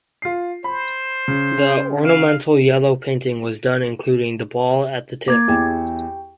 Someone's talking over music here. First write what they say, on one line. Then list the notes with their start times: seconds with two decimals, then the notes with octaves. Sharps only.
The ornamental yellow painting was done including the ball at the tip.
0.22 F4 C7
0.64 C5 B5
1.28 C#3
2.04 F5
5.28 A#3 D6 G#6 A6
5.48 E2 E4 G4 G#4 G5